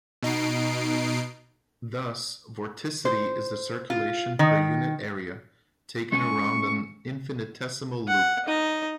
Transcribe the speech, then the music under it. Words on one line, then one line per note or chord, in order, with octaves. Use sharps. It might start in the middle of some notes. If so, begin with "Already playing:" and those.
Thus vorticity is the circulation per unit area, taken around an infinitesimal loop.
B2 D#4 C7 D7
C5
F4
D#3
G#3 C#4 G#5 C#6
F#5
D#4 D#5